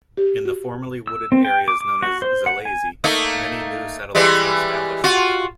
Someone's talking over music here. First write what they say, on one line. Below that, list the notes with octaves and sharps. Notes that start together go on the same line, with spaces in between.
In the formerly wooded areas, known as Zalesye, many new settlements were established.
G4
F#4
E6
C4
G5
D6
D6
F#4
C5
F#5
G#5
A3 A#3 D#4
E3 G3 G#3
F4 F#4